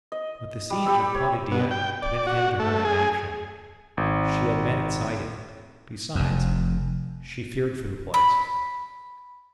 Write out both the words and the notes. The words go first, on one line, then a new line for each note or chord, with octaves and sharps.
But the siege of Potidaea put an end to her inaction; she had men inside it: besides, she feared for the place.
D#5
G3
G3 G4 B5 E6
C#5
B2
G5
D5
F#4
A3
G#4
G#1
F1 F2
B5